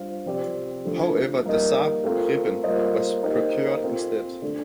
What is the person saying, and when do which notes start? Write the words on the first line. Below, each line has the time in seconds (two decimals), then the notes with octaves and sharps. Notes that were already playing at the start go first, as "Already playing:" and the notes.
However, the Saab Gripen was procured instead.
Already playing: G3 D4 F4 C5 F5
0.26 C3 F3 C4 G4 D5
0.85 D3 F3 A3
1.44 G3 A#3 D#4 A#4 D#5
2.04 A3 C4 F4 A#4
2.63 G3 A#3 F4 C5 D#5
3.23 A#3 D#4 G4 C5 D#5
3.82 C4 F4 A4
4.42 D3 A3 D4